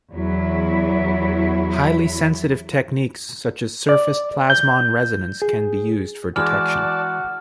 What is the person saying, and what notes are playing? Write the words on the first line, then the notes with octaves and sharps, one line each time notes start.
Highly sensitive techniques such as surface plasmon resonance can be used for detection.
E2 F#3 E4
D5
G6
G#4
E3 G#3 F#4 D5 A5 F6